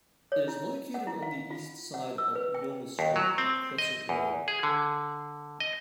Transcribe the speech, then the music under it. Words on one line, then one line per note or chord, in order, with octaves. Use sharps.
It is located on the east side of Yonge Street at Crescent Road.
C#5
E4
F#5
E4
F5
F4
F#5
E6
B4
G5
D#2
F#3
C4
D#5
E2
G#4
D3
D#5